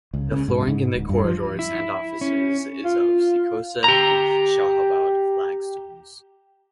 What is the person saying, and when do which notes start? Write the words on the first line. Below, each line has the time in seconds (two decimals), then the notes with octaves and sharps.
The flooring in the corridors and offices is of Sikosa and Shahabad flag stones.
0.14 C#2
0.31 C#3
0.48 G#2
0.68 G#2
0.95 D1
1.09 G2
1.24 F3
1.59 E4
2.21 C#4
2.85 F4
3.84 G4 A#5